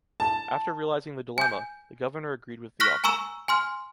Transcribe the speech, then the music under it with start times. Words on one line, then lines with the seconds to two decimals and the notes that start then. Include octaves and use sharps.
After realizing the dilemma, the governor agreed with the offer.
0.20 A5
1.38 G#5 G6
2.80 C#6 F6 F#6 A#6 B6
3.04 G#5 A#5 C#6 E6 E7
3.48 G#5 C6 F6